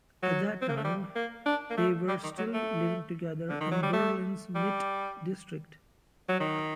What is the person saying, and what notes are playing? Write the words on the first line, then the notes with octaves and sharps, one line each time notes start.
At that time, they were still living together in Berlin's Mitte district.
F#3
C4
A#3
A3
G3
A#3
D4
A#3
A3
G3
D#3
F#3
A3
D3
D#3
F#3
G3
A3
G3
F#3
D#3